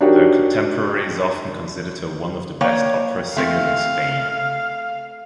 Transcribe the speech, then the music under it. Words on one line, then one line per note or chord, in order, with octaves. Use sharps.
Her contemporaries often considered her one of the best opera singers in Spain.
D4 D#4 F#4 G4 A#4 C#5
A#3 C#5 G5
A3 C4 F5